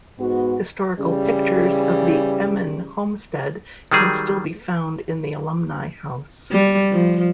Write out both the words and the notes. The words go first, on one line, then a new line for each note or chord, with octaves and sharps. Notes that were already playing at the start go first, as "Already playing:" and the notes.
Historical pictures of the Emin Homestead can still be found in the Alumni house.
G#2 B3 F#4
C#3 E3 G3
D#3 F#3 G3 G#4
G3
F3